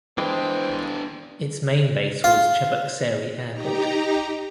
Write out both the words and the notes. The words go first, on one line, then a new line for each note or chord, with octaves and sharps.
Its main base was Cheboksary Airport.
E3 G#3 B3 D4 C5 G5
F4
D#4 G4 A#5